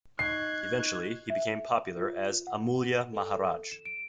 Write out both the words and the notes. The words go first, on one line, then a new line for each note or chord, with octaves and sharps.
Eventually, he became popular as Amulya Maharaj.
D#4 D#5 C#6 F#6 G#6 C7
E5
F4
F#5
A4
E7
D7